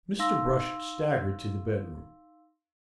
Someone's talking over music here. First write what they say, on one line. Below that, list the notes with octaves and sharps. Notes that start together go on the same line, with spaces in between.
Mr. Brush staggered to the bedroom.
D#4 F5 C6 E6 A#6